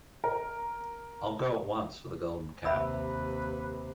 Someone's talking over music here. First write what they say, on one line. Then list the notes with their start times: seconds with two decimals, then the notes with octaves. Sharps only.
I'll go at once for the Golden Cap.
0.24 A#4
2.65 D#2 C3 B4 E5 B5 E6